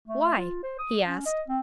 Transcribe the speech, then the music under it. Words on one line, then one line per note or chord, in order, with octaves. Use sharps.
"Why?" he asked.
A3
F4
C5
D#6
C#4
D#5
C4